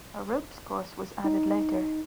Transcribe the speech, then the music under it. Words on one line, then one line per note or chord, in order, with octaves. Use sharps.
A ropes course was added later.
D#4